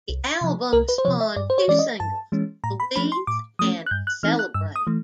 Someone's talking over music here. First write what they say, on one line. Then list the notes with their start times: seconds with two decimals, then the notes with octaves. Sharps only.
The album spawned two singles, "Louise" and "Celebrate".
0.09 C2
0.41 C3 F3
0.73 C2 A#4
0.89 B4
0.98 C5
1.05 C3 F3 C#5
1.20 E5
1.36 G2 D5
1.50 C5
1.58 C#5
1.68 E3 G#3 C#4 D5
1.79 D#5
2.00 G2 A5
2.32 E3 G#3 C#4
2.64 A2 A#5
2.80 B5
2.96 F3 A3 C#4 B5
3.12 C6
3.27 A2 D6
3.59 F3 A3 C#4 D#6
3.86 F#6
3.91 G2 G6
4.07 F#6
4.23 E3 A3 C4 D#4 F6
4.39 F#6
4.54 G2 E6
4.76 D#6
4.87 E3 A3